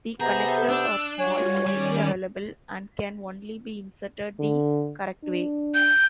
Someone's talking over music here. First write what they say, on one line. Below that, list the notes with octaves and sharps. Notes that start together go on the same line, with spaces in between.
The connectors are small, widely available, and can only be inserted the "correct way".
C3 B3 G#4 A4 E5 A#5 G6
D4 E6 F#6
G3 F4 F#4 C#5 G#5
D#3 G3 C#4 D5
D3
D4
G6